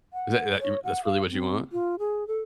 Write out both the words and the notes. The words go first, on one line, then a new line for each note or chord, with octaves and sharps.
Is that that that's really what you want?
F#5
C#5
F#5
F5
C4
F4
G#4
A4